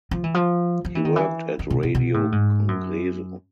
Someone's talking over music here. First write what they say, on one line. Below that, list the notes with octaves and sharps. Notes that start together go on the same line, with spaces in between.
He worked at Radio Congreso.
F3
E3
F3
F3
E3
D#3
E3
D#3
B2
B2
B2
A2
G#2
F#2